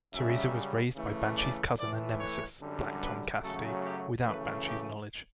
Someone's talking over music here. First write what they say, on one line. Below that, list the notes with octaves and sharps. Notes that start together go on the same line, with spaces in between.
Theresa was raised by Banshee's cousin and nemesis Black Tom Cassidy without Banshee's knowledge.
F#2 C#3 G3 E5
C#3 E3 A3
D5
A2 E3 A3 D5
C#5
F#2 D3 G3
B4
F#2 C#3 F#3 A3 A4
G4
F#2 C#3 E3 A3 B4
G4